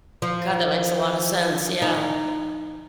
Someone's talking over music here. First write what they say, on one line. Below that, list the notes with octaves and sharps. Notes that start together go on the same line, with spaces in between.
God, that makes a lottta sense, yeah.
F3
D#4